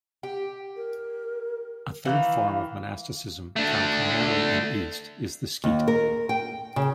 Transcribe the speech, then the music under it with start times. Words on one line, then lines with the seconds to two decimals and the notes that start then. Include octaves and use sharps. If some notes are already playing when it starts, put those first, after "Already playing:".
A third form of monasticism, found primarily in the East, is the skete.
0.23 G4
0.76 A#4
2.05 D#3 E3 F5
3.56 A3 D4
5.64 D#2
5.88 A#4
6.29 G5
6.76 C#3